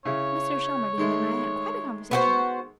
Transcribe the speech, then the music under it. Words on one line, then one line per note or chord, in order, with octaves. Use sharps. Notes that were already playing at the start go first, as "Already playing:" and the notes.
Mr. Shelmardine and I had quite a conversation.
C#3 E4 C#5
D#3 G#3 A3
B3 F#4 C5